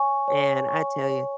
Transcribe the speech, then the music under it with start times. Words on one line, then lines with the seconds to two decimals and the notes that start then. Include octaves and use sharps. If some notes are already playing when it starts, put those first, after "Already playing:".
And I tell ya
Already playing: C#5 G#5 C#6
0.28 C#5
0.69 G#5 C#6
1.09 C#5